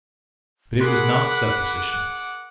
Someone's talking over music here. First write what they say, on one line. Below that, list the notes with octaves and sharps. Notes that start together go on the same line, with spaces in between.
But it was not supposition.
G#4 A#4 F#5 B5 C6 D6 F#6